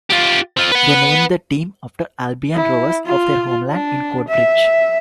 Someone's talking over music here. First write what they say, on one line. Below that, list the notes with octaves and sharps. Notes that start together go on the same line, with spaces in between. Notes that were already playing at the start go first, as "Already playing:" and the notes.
They named the team after Albion Rovers of their homeland in Coatbridge.
F4 G4
C4 F4
B4 F#5
E4
F4
D4
E5